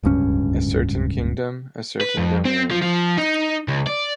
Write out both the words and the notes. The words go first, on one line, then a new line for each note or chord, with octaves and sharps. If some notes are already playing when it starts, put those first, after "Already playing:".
A certain kingdom, a certain domain.
D1 C#2 G2 C#4
B4
F2
C4
F3
F3
D#4
C#2
D5